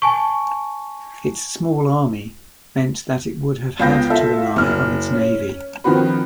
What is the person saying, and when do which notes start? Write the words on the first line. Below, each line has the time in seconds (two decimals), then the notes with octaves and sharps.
Its small army meant that it would have had to rely on its navy.
0.02 G#5 A5 C#6
3.80 C#2 B3 F5 G5 G6 A#6
4.10 F4 A4 E5
4.56 F#1 F6
5.13 C#4
5.84 D#3 F3 C4 F#4 B4